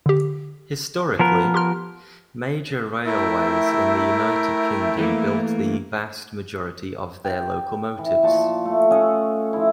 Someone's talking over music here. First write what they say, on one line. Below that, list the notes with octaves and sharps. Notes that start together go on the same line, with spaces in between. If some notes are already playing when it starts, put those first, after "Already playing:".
Historically, major railways in the United Kingdom built the vast majority of their locomotives.
D3 G4
F3 B3 A#4
G4 C6 F6
A3 E4 A#4 E5 G5
E3 A3 A#3
G5
E3
A#2 F3 A5 C#6
A3
C#4 A4 D#5 F#5
F3 E4